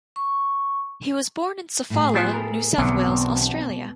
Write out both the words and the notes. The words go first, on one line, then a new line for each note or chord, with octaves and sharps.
He was born in Sofala, New South Wales, Australia.
C#6
A2 G#4
F3 B3 G4 C5
A4 A#4
B1 E2 B2 D3 D#3 B3 C4 D4
B2